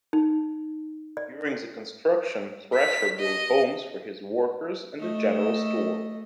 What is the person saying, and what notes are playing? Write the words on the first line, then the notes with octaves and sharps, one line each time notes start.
During the construction Thrasher built homes for his workers and a general store.
D#4
D5
B6
D#5
A3 D#5